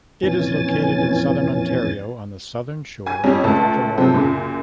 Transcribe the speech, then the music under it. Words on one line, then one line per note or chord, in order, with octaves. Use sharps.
It is located in Southern Ontario on the southern shore of the Ottawa River.
F2 A#2 E3 C#4 G#5 A6
G#5 G#6
F2 G3 C#4
C#2 A3 A5
C3 F3 F#3 C4 A4
F#2 A#2 C#3